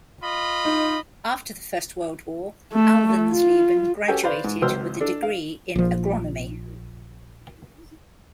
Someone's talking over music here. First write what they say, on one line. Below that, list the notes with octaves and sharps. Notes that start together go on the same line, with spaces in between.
After the First World War, Alvensleben graduated with a degree in agronomy.
F4 D#5 B5
D#4
A3
F4
C#4 F#4 G4 A4 G5 G#5
B4 C5 D5 F5
G#2
G#1 C#2 F#3 C5 E6 F6
D4 A4
F5
A#1 F3